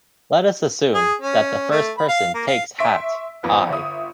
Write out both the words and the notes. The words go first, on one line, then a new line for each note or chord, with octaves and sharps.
Let us assume that the first person takes hat "i".
G#4
C#4
A3
B5
F5
A#3
F5
E5 C6 C#6 E6 B6 D7
G#1 F2 B3
G1 E5 D#6